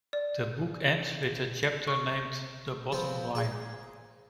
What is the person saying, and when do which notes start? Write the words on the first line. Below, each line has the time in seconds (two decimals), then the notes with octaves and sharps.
The book ends with a chapter named "The bottom line".
0.13 D5
1.87 C#6
2.92 F3 B3 C4
3.35 G#4